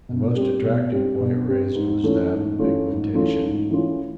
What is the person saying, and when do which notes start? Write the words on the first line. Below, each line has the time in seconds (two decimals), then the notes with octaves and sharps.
The most attractive point raised was that of pigmentation.
0.09 B2
0.36 G3 C4
0.64 B2
0.92 G3 C4
1.20 B2
1.48 G3 C4
1.75 G#2
2.03 E3 A3 C#4 F4
2.31 G#2
2.59 E3 A3 C#4 F4
2.87 G#2
3.15 E3 A3 C#4 F4
3.42 G#2
3.70 E3 A3 C#4 F4